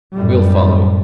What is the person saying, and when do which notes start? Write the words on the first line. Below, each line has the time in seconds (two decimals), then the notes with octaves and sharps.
We'll follow.
0.13 F#2 A2 G3